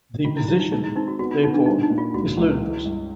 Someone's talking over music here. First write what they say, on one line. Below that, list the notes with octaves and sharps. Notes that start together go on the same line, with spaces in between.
The position, therefore, is ludicrous.
D#3 F4
E4
G3 E4
D#4
G#3 D#4
E4
C4 D#4
F#4
B3 F#4
F4
B3 D#4
D4
G3 D#4
D#4
A#2
F4
C#2 F#4
C#2
E3
G2